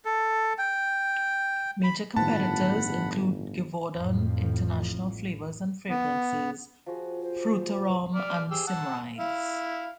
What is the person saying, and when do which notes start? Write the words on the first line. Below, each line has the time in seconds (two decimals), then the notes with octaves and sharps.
Major competitors include Givaudan, International Flavors and Fragrances, Frutarom and Symrise.
0.05 A4
0.58 G5
1.84 B5
2.16 G1 A2 D#3 F3 F#5 A5 B5
3.96 A1 F2 A2 F3
5.89 B3
6.86 F3 F#4 G#4
7.22 C5
8.15 D5 F6
8.51 G4 G#4 E6
8.67 F#5 A5 E6
9.18 E4 F5